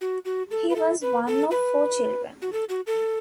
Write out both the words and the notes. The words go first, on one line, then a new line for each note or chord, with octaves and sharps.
He was one of four children.
F#4
F#4
A4
B4
A4
B4
A4
B4
F#4
A4
F#4
A4